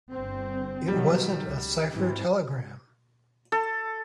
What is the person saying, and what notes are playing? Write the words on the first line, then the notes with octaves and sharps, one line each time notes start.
It wasn't a cipher telegram.
G1 C4
B2 D#3 F#3 G3
C#2
G#2 E3 C4
A4